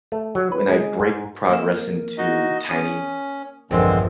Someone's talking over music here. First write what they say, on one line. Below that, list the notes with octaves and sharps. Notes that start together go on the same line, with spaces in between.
when I break progress into tiny
A3
F#3
B4
G#3
G#2
A#3 E7
D#4 F#4 D#5
C#4 D#6
A#1 E2 G2 D3 G#3 C4